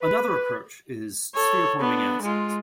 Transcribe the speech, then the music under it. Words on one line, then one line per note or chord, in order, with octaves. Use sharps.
Another approach is sphere-forming assays.
B4
A4 C#5
B3 D4
G#3 F4